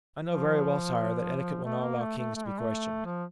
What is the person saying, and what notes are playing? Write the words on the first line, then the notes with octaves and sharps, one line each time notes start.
I know very well, sire, that etiquette will not allow kings to be questioned.
F3
A3
A#3
A3
A3
A3
G3
A3
F3